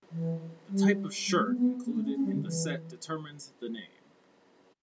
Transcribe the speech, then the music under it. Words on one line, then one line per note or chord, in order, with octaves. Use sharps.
The type of shirt included in the set determines the name.
E3
G3
G3
A3
B3
B3
A#3
A3
C#4
C#4
G3
D3
E3